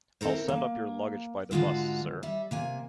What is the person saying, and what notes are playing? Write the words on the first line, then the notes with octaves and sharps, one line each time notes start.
I'll send up your luggage by the bus, sir.
C4 E4 A4 A#4 C5
A#3
G#2 D3 G#3 F4 F#4
G3 E5
C3 A#3 G#5